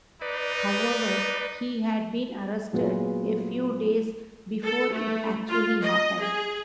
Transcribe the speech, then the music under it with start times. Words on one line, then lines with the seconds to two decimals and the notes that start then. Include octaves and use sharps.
However, he had been arrested a few days before it actually happened.
0.21 D#4 B4 D5
2.72 A#2 F#3 G#3 B3 F4
4.63 A4
4.92 A3
5.49 F4
5.82 D#5
6.20 G#4